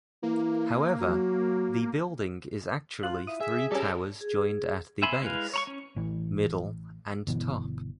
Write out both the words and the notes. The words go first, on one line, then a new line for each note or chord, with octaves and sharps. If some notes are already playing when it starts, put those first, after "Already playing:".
However, the building is actually three towers joined at the base, middle and top.
E3 A#3
F#3
F4 F#6
E4 D#6
G#4 E5
G3 C#4 A4 A#4
G#4
B3 E5 G#5 B5 C6
G#3 E4 B4 F5
C#5 A#5 C#6
C#4
A1 E3
G1 B2 E3